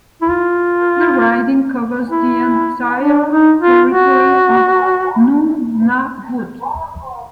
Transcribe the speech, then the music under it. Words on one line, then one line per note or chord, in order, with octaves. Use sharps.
The riding covers the entire territory of Nunavut.
E4
F4
E4
D4
D#4
F4
F#4